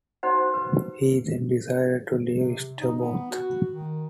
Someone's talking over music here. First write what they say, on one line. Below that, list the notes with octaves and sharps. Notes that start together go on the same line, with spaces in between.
He then decides to leave Stillborough.
D#4 F#4 C5 F#5
B4
C3
D#4
B3
F#4
D#3